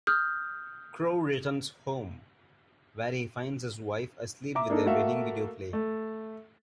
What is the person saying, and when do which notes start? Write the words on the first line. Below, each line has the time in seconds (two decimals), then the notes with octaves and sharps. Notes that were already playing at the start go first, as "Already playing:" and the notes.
Crowe returns home, where he finds his wife asleep with their wedding video playing.
0.07 D#6 F6 G6
4.55 E5 A#5 D6
4.70 A#3 D4 D#4 A4
4.85 A3 A#3 F#4 A4 E5 F5
5.73 A3